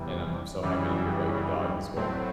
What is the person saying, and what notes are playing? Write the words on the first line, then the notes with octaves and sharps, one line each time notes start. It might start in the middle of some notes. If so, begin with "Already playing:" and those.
And I'm so happy to hear about your dog as well.
Already playing: E2 C3 E3 G3
F#2 C#3 E3 G3
A2 F#3 A3 C4